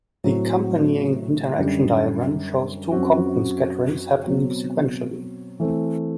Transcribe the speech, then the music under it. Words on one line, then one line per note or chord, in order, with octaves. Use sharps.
The accompanying interaction diagram shows two Compton scatterings happening sequentially.
A2 F#3 C4 F#4
F#2 D3 G3
F#2 F#3 C4 F#4
B2 F#3 C4
E3 A3 C4